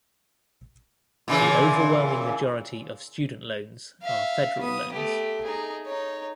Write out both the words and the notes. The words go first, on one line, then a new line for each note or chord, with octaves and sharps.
The overwhelming majority of student loans are federal loans.
A#2 C#3 E3
E5 F5
B3 D#6
A3 G4
D#4 G#4
D#4 C#5